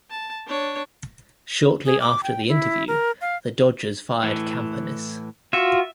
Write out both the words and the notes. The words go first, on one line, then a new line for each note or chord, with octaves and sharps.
Shortly after the interview, the Dodgers fired Campanis.
A5
D4 C#5
G#4
D6
G5
E4
A#4
F5
A2 E3
F4 F#4 E5